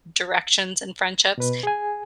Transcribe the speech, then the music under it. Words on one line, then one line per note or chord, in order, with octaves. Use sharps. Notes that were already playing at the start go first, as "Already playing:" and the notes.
directions and friendships,
B2 B4
G#4 G#5